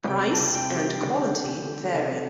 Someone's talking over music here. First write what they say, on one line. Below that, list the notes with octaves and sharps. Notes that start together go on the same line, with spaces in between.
Price and quality vary.
C3 G5
A5
C3
G5
G3
G4
D3
D3
A3
C3 A4